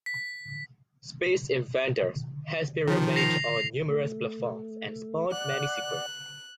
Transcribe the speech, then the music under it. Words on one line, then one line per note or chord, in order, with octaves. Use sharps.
"Space Invaders" has been remade on numerous platforms and spawned many sequels.
B6
D#3 F3
A#6 C7 F7
A3
D5 F#5 F#6